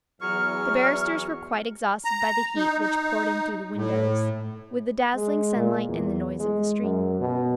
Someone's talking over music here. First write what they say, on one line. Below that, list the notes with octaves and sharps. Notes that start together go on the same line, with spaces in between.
The barristers were quite exhausted by the heat which poured in through the windows, with the dazzling sunlight and the noise of the streets.
E2 F#3 C#6 F6
A#5
D#4
D#4
A2
G#3
A#2
E2
G#3
F#2
B2